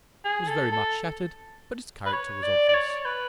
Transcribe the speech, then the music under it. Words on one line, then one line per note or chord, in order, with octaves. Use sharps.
It was very much shattered, but its character was obvious.
G#4
A4
A4
B4
C#5
D5
D5
C#5
B4